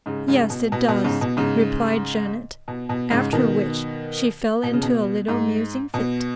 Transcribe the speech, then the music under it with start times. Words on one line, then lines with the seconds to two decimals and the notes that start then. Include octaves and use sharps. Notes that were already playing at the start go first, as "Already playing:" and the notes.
"Yes, it does," replied Janet, after which she fell into a little musing-fit.
0.06 G#2 C#3
0.28 G#2 C#3
0.50 B2
0.72 B2
0.88 B2
1.04 G#2 C#3
1.21 B2
1.37 G#2 C#3
2.68 B2
2.89 B2
3.11 G#2 C#3
3.33 B2 D#3
4.63 B2
4.73 C#3
4.83 B2
5.28 G#2
5.94 B2